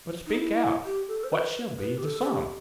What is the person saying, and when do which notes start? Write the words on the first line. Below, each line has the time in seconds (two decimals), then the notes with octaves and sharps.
But speak out--what shall be the sum?'
0.26 D#4
0.38 E4
0.85 G4
1.08 A4
1.24 C5
1.32 B4
1.79 B4
1.98 G4
2.04 A4
2.20 A4
2.27 G4